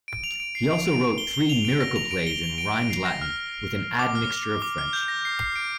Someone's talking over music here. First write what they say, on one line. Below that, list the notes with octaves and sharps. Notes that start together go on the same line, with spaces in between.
He also wrote three miracle plays in rhymed Latin with an ad-mixture of French.
D7
F7
D7
C7
D7
D7
G7
G7
F7
D7
A#6
F7
D7
G7
F7
D7
D7
C7
A#6
F6
D6
F6
D6
F6
G6
A#6
C7
C7
D7